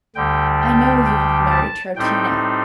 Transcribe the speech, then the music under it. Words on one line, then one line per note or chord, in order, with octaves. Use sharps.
I know you have married Troutina.
D2 D3 G3 G5
G5
G5
A5
A2 G3 C4 D#4 G5